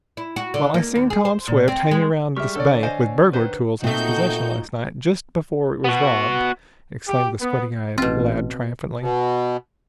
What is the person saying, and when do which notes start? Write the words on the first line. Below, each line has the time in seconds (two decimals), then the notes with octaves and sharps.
"Well, I seen Tom Swift hanging around this bank with burglar tools in his possession last night, just before it was robbed," exclaimed the squint-eyed lad triumphantly.
0.17 E4
0.36 F#4
0.54 D3
0.74 A#3
0.95 D#2
1.10 G#4
1.25 C5
1.48 A#2
1.68 C4
1.91 G#3
2.36 G3 G#3 G4 E5 C#6 F6
2.55 D3 A4 C#5 D5
2.83 C5 D#5 F5 G#5
3.33 D#3 B4 C5
3.84 A#2 A3 C4 D#4 F4 F#4 G6
5.84 B3 F#4
7.08 G4
7.41 B3
7.98 A1 B2 C4 F4
9.00 B2